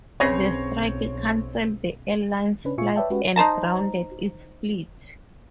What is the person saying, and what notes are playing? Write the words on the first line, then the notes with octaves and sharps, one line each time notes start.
The strike cancelled the airline's flights and grounded its fleet.
B1 C#3 B3 C4 C5 C#5 A#6 C7
C#3 C#4 D4 B4
A#2 F4 E5 G#5 C#6 C#7
B4 C#5 D5 E5 G5 A5
G#3 C#4 F#4 G4 B4
D#4 C5 A5 A#5